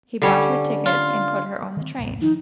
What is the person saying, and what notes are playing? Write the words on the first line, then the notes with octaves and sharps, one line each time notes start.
He bought her ticket and put her on the train.
D3 G3 C#4
F4
D#3 C4
D#1 C2 G#2
D#3 F3 D#4